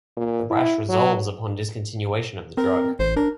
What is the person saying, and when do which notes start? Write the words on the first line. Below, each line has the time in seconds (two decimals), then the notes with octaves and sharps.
The rash resolves upon discontinuation of the drug.
0.17 A#2
0.50 E4
0.89 F#3
2.57 C4 A#4
2.99 A1 C5
3.16 D4 A#4